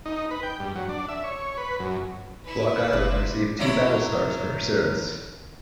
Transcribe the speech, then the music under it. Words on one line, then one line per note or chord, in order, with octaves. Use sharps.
"Block Island" received two battle stars for her service.
D#4
B4
G5
G2
F#3
D4
E5
C#5
B4
F#2
E4 B4
F#1 C3
F#3 E4 C#5